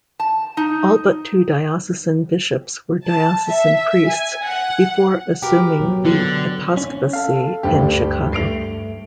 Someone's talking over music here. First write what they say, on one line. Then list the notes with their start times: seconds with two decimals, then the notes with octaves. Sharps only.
All but two diocesan bishops were diocesan priests before assuming the episcopacy in Chicago.
0.20 A5
0.57 D#4
3.04 A5
3.46 E5
4.09 G#5
4.44 F#5
5.42 F#4 G4 A#4 B4
5.80 B2 F#3 B3
6.05 D3
6.77 C#4
7.13 A4 F5
7.63 D2 G2 G4
8.33 G2 A3 C7 D7 F7